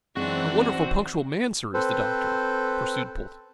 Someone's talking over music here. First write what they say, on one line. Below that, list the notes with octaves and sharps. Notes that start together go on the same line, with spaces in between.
"A wonderful punctual man, sir, is the Doctor," pursued Polton.
F#2 E3 G#3 C4 D4 D#4 F#4
C4 A4 B4 C5